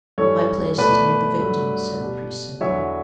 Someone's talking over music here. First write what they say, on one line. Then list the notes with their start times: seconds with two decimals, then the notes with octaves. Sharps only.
"My place is near the victims," said the priest, simply.
0.18 G2 E3 G3 A4 C#5
0.78 B2 A3 B4 D5
1.39 G2 D3 F#3 A3
2.00 B2 G3
2.61 E2 D3 F#3 C#5 E5